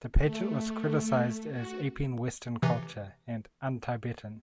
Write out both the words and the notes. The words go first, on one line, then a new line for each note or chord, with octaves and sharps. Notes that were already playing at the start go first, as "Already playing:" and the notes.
The pageant was criticized as "aping western culture" and "un-Tibetan".
A3
F#4
C3 E3